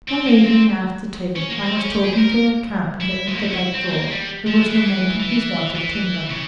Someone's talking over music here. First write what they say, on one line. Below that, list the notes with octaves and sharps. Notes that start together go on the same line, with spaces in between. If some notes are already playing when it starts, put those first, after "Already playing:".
One evening after tea I was talking to a carpenter at the back door, who was lamenting his want of timber.
C4
A#3
C4
C#4
A#3
C4
C#4
G4
G#4
C5
A#4
A#4
E4
G#3
A#3
C4
C#4
E4
C4
A#3
G3
F3
E3
E3
E3
C#3